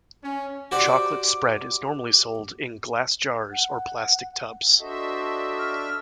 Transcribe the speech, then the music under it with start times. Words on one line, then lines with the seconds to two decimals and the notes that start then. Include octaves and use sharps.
Chocolate spread is normally sold in glass jars or plastic tubs.
0.23 C#4
0.71 F#4 G4 C5 D5 F#5
3.52 F#5
4.80 D4 F#4 A4 C5 D#5 E5
5.59 F6